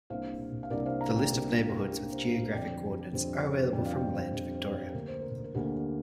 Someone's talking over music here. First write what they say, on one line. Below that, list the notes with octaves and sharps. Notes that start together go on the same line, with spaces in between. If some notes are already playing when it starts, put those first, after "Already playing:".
The list of neighbourhoods, with geographic coordinates, are available from Land Victoria.
C2 C3 A#3 D4 C5 F5
F5
C2 C3 A#3 D4 A#4 D5
C5 F5
F5 A#5
D5 G5
C2 C3 A#3 D4 A#4 D5
A#4
G4
A#4
C2 C3 A#3 D4 G4
G4 C5
C5 F5
F2 D3 G3 C4 D5 G5
F2 D3 G3 C4
F2 D3 G3 C4 D5 G5
F5
D5 G5
C5 F5
F2 D3 G3 C4 G4 C5
C5
A#4
G4
D2 D3 A#3 A#4
C5
A#4
A#4
D2 D3 A#3 G4